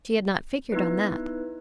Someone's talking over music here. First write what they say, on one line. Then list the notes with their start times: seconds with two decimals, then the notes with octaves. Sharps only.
She had not figured on that!
0.72 B3 D#4 E4 B4